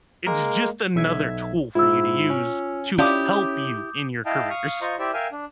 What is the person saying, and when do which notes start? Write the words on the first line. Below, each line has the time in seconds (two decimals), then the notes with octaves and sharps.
it's just another tool for you to use to help you in your careers.
0.27 G#3 A#3 A#4
0.95 B1 E5 G#6
1.75 G#2 E4 F4 E6
2.30 C#4
2.99 C#4 D4 E4 F4 G4 D6 D#6 G6
4.26 E4 D#5 F5 G5 A5
4.50 F5 C#6 D#6 F6
4.81 F4 C5 D#5 A#5 C#6
4.99 E4 G4 C5 D5 E5
5.14 A#4 E5 F5 G5 G#5
5.32 D4